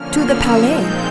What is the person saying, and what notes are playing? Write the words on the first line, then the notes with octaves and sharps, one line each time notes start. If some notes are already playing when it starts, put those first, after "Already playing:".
"To the Palais."
Already playing: D3 F3 A#3 C#4 F6
E6
A#2 F3 G#3 C4 D#4 G6